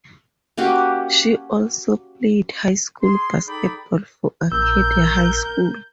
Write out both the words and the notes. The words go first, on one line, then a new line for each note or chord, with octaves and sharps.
She also played high school basketball for Arcadia High School.
A#3 C#4 F#4 G4
G#4 C6
D#4 G#4 A4 D5 G5 B5
A#1 A#4 E6 G6